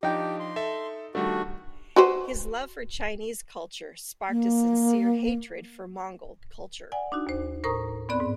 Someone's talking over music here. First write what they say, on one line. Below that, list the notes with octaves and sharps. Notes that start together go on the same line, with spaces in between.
His love for Chinese culture sparked a sincere hatred for Mongol culture.
F3 D4 D#4 G4 G5
C6
A4 E5
D#3 G3 A3 D4 F#4
F#4 B4 C5
A#3
D5 F#5 G#5
D4 D#4 F#4
D#2 C5
A2 A#4 C5 A#5 C#6 D#6
E2 B3 C4 D5 B5 F#6
G#2